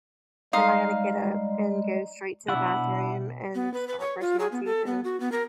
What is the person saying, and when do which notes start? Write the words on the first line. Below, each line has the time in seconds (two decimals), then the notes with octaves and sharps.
"Am I gonna get up and go straight to the bathroom and start brushing my teeth and
0.53 G3 G#3 D#4 F5 C6 D#6
2.48 B2 D4 E4 F#5
3.55 B3
3.74 B4
3.88 B4
4.00 C#5
4.21 F4
4.39 G#4
4.52 B3
4.65 A4
4.86 B3
5.04 F#4
5.20 B3
5.32 A#4